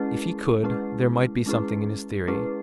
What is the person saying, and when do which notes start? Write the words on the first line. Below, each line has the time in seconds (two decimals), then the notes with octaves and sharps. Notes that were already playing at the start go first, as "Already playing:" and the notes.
If he could, there might be something in his theory.
Already playing: G#3 C#4 E4 G#4 B4
0.64 G#3 C#4 E4 G#4 B4
1.46 G#3 C#4 E4 G#4 B4
2.27 G#3 C#4 E4 G#4 B4